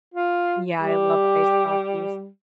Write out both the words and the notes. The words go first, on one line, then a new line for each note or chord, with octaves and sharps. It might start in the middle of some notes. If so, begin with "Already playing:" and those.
Yeah, I love iced coffees.
F4
G3 G4